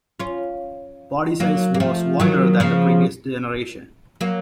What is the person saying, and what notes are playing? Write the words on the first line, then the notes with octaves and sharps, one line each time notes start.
Body size was wider than the previous generation.
C#4 F4
F#3 A#3
A#3
F3 A3
D#3 F#3
C#3 F3
F#3 A#3